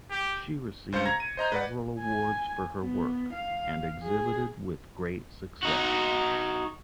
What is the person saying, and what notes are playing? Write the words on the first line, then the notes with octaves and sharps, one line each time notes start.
She received several awards for her work and exhibited with great success.
G4
C#2 C5 F5 C#7
A#5 G#6 A#6
D#7
C5 D#5 A#5 G6
B4 D5 F#5
G#5
B3
F5
G#4
D#4 F#4